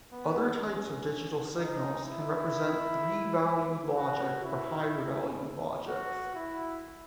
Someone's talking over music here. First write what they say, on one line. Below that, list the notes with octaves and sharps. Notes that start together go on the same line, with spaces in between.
Other types of digital signals can represent three-valued logic or higher valued logics.
B3
C#4
D#4
E4
F#4
E4
F#4
E4